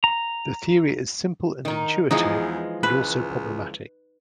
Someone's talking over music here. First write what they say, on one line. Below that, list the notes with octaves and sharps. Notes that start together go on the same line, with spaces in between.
The theory is simple and intuitive, but also problematic.
A#5
D#3 D#4
E2 E3 F3 G#3 D#4
C#2 B4